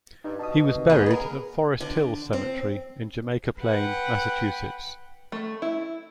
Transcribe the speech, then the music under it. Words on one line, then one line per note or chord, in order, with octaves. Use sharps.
He was buried at Forest Hills Cemetery in Jamaica Plain, Massachusetts.
G2 D#4
B2 A5 D#6
C#2 C3 D#3
A#3 B3 G#4 G#5
G#4 A#4 B4
D3
C4
B4 F#5 G5
A3
E4